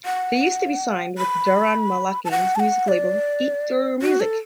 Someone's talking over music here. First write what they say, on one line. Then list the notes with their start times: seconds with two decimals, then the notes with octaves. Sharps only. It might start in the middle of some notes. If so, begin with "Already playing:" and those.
They used to be signed with Daron Malakian's music label EatUrMusic.
0.05 F#5
1.18 B5
2.25 A5
2.31 F#5
2.55 A5
2.60 F#5
2.88 D5
4.02 F#4
4.20 A4